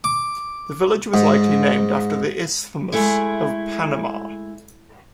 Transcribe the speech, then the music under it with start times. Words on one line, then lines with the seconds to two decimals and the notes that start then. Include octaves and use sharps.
The village was likely named after the Isthmus of Panama.
0.04 D6
1.14 G#2
2.92 G#3 A3 E4